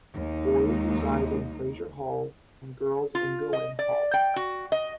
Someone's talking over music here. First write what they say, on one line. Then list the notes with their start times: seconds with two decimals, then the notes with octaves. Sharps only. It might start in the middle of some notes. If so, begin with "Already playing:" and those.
Boys reside in Frazer Hall and Girls in Goen Hall.
0.14 D#2 G#3 D#4
3.15 F4
3.53 D#5
3.79 D5
4.14 G5
4.36 F#4
4.72 D#5